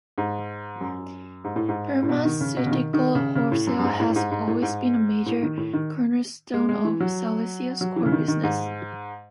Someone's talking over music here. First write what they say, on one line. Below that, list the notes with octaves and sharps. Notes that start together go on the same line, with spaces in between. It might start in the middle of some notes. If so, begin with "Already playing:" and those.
Pharmaceutical wholesale has always been a major cornerstone of Celesio's core business.
G#2
F#2
G#2
A2
G#2
A2
B2
D#3
C#3
B2
C#3
D#3
D#3
C#3
C#3
A2
F#2
F#2
G#2
A2
A2
G#2
G#2
A2
G#2
A2
D#3
A2
D#3
G#3
G#3
E3
F#3
F#3
E3
C#3
D#3
D#3
G#2